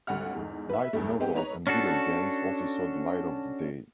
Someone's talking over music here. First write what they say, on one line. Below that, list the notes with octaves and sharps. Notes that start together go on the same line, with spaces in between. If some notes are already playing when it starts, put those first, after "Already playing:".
Light novels and video games also saw the light of the day.
G#1 D2 G3 F#5 F6
E2 G#2
B4 E5
E2 G2 A3
G#2 G#3 B3 C4 G4
D#4 B4 C#5 A#5 F7
C#4 D4 F#4 A4